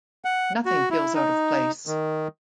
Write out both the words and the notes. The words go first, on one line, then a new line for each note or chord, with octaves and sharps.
Nothing feels out of place.
F#5
F#4
E4
D#4
D#3